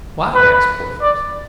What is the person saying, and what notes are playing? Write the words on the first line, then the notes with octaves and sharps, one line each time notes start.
"Why?" asked Porthos.
B4
D5